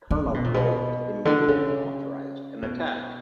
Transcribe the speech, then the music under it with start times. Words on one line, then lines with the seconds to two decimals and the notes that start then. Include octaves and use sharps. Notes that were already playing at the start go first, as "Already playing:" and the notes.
Colonel Gold immediately authorised an attack.
0.11 D3
0.34 B2
0.44 A#2
0.54 B2
1.25 D3
1.48 C#3
2.63 B2